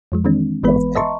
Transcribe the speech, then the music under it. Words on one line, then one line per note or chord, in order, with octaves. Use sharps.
Oh, thanks.
F2 F3 G#3
D#3 E3 G#3 C4 D4
G#1 E3 G#3 B3 B4 B5
D#5 E5 A5 A#5 C6 C#6